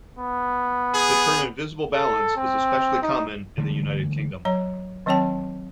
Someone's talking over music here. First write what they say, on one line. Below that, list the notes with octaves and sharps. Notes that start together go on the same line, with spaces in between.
The term 'invisible balance' is especially common in the United Kingdom.
B3
G#4
A4
C4
D#4
D3 E3 G3 A3
F#3 C#5 A#5
D#3 F#3 C4 C#5 G5 A5